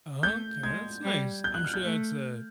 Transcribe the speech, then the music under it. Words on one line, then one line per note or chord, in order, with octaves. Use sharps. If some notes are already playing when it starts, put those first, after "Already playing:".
Okay, that's nice. I'm sure that's, uh,
A3 G6
G#3 G#6
G3
G6
F#6
F6
G6
A3